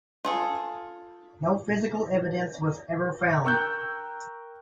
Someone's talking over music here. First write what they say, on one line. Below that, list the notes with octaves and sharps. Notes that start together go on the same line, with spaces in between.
No physical evidence was ever found.
F4 G#4 A4
A#4 G5 C#6 E6 F#6 G6